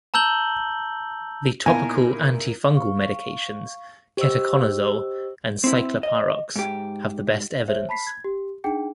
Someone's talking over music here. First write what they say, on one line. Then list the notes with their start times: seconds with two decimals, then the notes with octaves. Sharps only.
The topical antifungal medications ketoconazole and ciclopirox have the best evidence.
0.14 A5 A#5 E6 G6 F#7 G7
1.66 A#2 B3 D#4 E4 A#4 F5 G#5
2.75 F5 C#6
4.17 G4 C5 D#5 E6
5.64 C4 E4
6.03 D#5
6.56 G#2 G4
7.68 C5 C#5 E5
7.89 A5 B5 B6 C7
8.07 G#6
8.24 G4
8.64 D4 D#4 G#4 F#5 G5